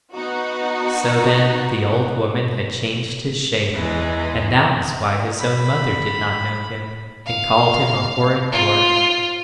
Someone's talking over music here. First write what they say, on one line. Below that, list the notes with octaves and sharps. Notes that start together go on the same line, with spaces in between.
So, then, the old woman had changed his shape, and that was why his own mother did not know him, and called him a horrid dwarf!
B3 D#4 F#4
E2 E3 G#3
B5
F5
F4